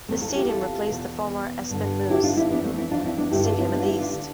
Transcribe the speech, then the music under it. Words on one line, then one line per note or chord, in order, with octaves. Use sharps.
The stadium replaced the former Espenmoos stadium in the east.
E2 C3 E3 A3 C4
F4 A4
E4 G4
F4 A4
E2 B2
G2 D3
E4 G4
D4 F4
C4 E4
F2 E3 B3 D4
A3 C4
C4 E4
D4 F4
C4 E4
B3 D4
G2 D3 E4 G4
D4 F4
C4 E4
B3 D4
F4
E4 G4
D4 F4
D3